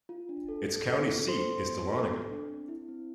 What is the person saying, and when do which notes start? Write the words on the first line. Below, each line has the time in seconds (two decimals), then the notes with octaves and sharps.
Its county seat is Dahlonega.
0.09 F4
0.29 D4
0.48 A4
0.69 A4
0.89 A4
1.09 F4
1.28 A4 C5 C6
1.49 B3
1.69 B3
1.88 A4
2.08 A4
2.29 D4
2.48 C4
2.68 E4
2.89 C4